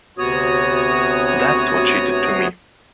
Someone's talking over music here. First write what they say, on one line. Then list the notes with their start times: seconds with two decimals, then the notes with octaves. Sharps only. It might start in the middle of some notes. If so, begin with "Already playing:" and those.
That's what she did to me.
0.18 D2 C3 B3 F#4 C#5 D#6